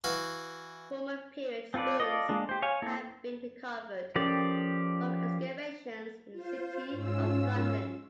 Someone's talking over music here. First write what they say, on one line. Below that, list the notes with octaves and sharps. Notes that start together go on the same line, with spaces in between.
Roman period spoons have been recovered from excavations in the City of London.
E3 F#4 F5
C4 F4 A4 B4 D5
F4 A4 D5 D#5
G#3 A#3 D4
G4 C5
C#5 F5 G#5
A#3 E4 A4
F3 C#4 G4 A4 A#4 D5
F4 C5
G#2 C#4 F4 E6